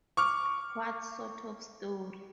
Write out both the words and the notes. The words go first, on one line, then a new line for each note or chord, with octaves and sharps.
What sort of story?
C#6 D6 F6